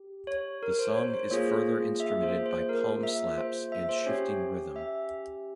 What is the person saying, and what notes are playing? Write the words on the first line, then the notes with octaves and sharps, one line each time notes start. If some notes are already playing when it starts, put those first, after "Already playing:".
The song is further instrumented by "palm slaps" and shifting rhythm.
Already playing: G4
C#5
A#4
C5
C#5
C5
C5
A#3 F4 G#4 C#5
E5
C5
C5
A#4
E5
C5
E5
C5
C#4 G4 C#5
E5